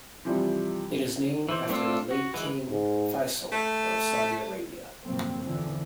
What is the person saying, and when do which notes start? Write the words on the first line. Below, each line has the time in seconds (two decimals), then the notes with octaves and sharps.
It is named after the late King Faisal of Saudi Arabia.
0.25 C3 E3 F3 G3
1.49 E3 C5
1.69 A3 C4 D4 F4 A4
2.11 F#4
2.34 E3 G#3 B4
2.69 G#2
3.52 A3
5.04 G1 F2 C3 F#3 A#3 C4
5.43 E2 D3 E3 F3